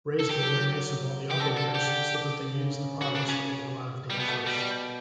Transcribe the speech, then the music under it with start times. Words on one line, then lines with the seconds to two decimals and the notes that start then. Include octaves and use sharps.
Raise the awareness of all the operators so that they use the products that will go out of date first.
0.20 A4
0.31 F#3 G4
1.31 G4
1.40 D3 A4
1.58 A4
1.75 G4
2.48 C#3
3.02 F#4
3.15 D4
3.29 C#4
4.10 B2 G3
4.20 B3
4.28 A3
4.46 G3